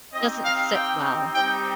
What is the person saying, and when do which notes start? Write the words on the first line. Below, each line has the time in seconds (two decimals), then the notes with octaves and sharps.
doesn't sit well,
0.12 C4 D#4 G4 D#5
0.42 F5
0.73 G5
1.33 G3 C4 D#4 G5